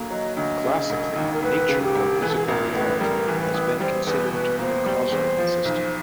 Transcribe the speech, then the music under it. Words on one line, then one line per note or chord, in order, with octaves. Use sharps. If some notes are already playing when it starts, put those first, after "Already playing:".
Classically, nature or physical reality has been considered to be a causal system.
Already playing: D2 D3 F#3 A#3
F#3 D#5
D2 D#5
C#3
E1
D#2
A#4
E1 B4
C#3
G4
E1
E3 G#4
A4
G#4
A1 A#4
A2 B4
G3 A#4
E3
B4
A1
G3 C5
E2 B4
B2 B4
A#3 C5
G3
E2
F3
B1